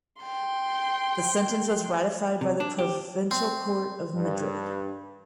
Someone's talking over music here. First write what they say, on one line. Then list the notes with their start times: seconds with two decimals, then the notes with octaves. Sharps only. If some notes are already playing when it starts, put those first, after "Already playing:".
The sentence was ratified by the Provincial Court of Madrid.
0.22 G5 C6
2.41 C3
2.60 D4
2.79 G4
3.31 C4
4.15 G2